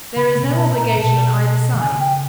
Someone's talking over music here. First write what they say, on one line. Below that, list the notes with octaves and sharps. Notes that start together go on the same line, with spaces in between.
There is no obligation on either side.
C#3 B5
C3
B2
A5
A#2
A#5
B2 A5
D3
C#3 G#5
G5